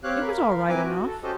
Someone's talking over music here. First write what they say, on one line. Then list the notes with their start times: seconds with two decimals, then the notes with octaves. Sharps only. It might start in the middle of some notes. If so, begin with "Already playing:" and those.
It was all right enough.'
0.04 C4 G4 C#5 F5 F#6
0.21 A#4 F5 B5
0.69 C4 E4 B4 G#5 A#5 D6
0.84 F#4
1.06 A4
1.23 C#4 F#4 G4 A4 C5 D#5